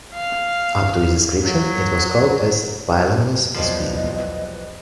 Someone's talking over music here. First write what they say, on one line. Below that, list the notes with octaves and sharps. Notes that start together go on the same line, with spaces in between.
Up to its description it was called as "Pylaemenes" sp.
F5
F#3
B1 E2 F3 G3 G#3 B4 D#5